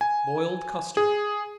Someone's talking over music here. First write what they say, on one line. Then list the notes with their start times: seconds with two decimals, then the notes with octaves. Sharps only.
Boiled Custard.
0.01 G#5
0.97 G#4